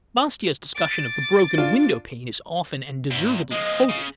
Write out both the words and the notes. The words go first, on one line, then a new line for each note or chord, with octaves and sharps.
Bastiat's discussion of the broken window-pane is often and deservedly quoted.
D6 A6
D4 F4
E2 G#2 A3
F3 G#3 D#5
C#3